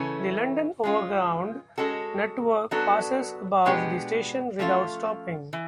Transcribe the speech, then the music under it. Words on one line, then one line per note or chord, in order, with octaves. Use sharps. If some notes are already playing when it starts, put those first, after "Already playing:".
The London Overground network passes above the station without stopping.
Already playing: C#3 E3 A3 C#4
G#3 C#4 F4
G#3 C#4 F#4 A4
F#3 B3 D4 F#4 A4
B2 G#3 B3 D4 G4
F3 A3 C#4 F4
E3